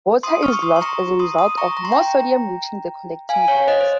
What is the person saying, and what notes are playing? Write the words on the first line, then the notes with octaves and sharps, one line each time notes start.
Water is lost as a result of more sodium reaching the collecting ducts.
C6 D#6
C#6 F6
C#6
C6 D#6
C6
A#5 C#6
C6 D#6
C6 D#6
A#5 C#6
A#5
C6
G5 A#5
F5 G#5
C#5 F5
C5 D#5
C5